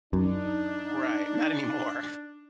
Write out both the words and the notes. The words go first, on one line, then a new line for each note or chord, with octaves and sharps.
Right. Not anymore.
F#2 D4 D#4